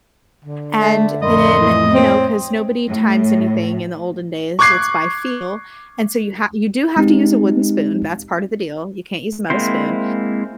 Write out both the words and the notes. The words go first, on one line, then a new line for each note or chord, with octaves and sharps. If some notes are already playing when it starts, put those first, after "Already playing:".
And then, you know, 'cause nobody times anything in the olden days, it's by feel, and so you ha you do have to use a wooden spoon, that's part of the deal, you can't use a metal spoon.
D3
A3
F2 A2 A#4 D#5 B5 C6
E3
C4 C#5
A2
C#6 D6 F#6 G#6 C7
G#3 C4 D#4 G4
G#3 A#3 C4 E4 C5